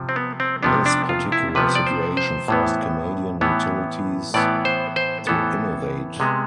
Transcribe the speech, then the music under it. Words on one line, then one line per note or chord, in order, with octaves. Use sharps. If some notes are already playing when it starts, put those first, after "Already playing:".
This particular situation forced Canadian utilities to innovate.
Already playing: C3 F3
C4
B3
C4
C3 F3 B3 D4
D4
F4
E4
C3 F3 B3 B4
D5
C5
C5
A2 E3 B3
A2 E3 B3
A2 E3 B3 D5
C5
C5
A2 E3 B3 A4
C3 G#3 B3